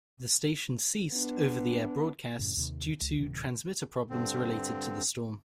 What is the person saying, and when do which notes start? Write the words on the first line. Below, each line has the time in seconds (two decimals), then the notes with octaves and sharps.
The station ceased over-the-air broadcasts due to transmitter problems related to the storm.
1.13 B3 D4
2.38 F#2 A2 C#3
2.57 D#2 C3
3.01 C#2
3.19 D1 G#1 C3 D#3
4.10 G2 D3 C4